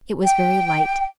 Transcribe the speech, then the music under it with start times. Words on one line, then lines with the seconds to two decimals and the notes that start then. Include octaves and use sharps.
It was very light.
0.23 G5